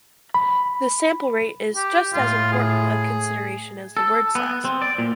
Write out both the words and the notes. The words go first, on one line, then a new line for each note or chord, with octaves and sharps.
The sample rate is just as important a consideration as the word size.
B5
G4
A2 F4
G#4
A4
B3
C4
D5
A#2